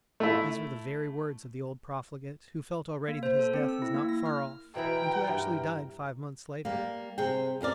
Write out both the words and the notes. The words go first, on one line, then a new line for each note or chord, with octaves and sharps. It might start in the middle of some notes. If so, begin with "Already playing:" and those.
These were the very words of the old profligate, who felt already that his death was not far off and who actually died five months later.
A3 E4
A#3
C5
A4
C4
E6
E4
A#3
A#6
F6
B2 E3 E4 A#4 B4 G5
G2 E5
G3 A#3
C3 G#4 G5
F2 C#4 A#4 D5